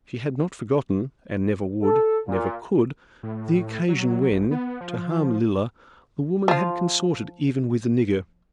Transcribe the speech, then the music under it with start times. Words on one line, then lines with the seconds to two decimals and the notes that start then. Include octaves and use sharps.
She had not forgotten--and never would--never could--the occasion when, to harm Lilla, the woman had consorted even with the nigger.
1.82 A4
2.27 A#2
3.23 A2
3.89 F#3
4.32 A1
4.51 B3
4.81 F3
6.48 F3 F4